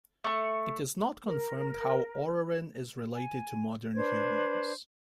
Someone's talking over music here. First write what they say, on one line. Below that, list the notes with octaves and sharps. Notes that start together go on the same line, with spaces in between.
It is not confirmed how "Orrorin" is related to modern humans.
A3 C#6
A#4
G#5
D4 B4 C5 G#6